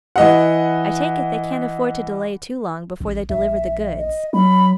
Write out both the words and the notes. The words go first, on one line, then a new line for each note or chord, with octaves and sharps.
I take it they can't afford to delay too long before they deliver the goods.
E3 D#5 F#5
A1
A#1 E5
D#5
F#3 B5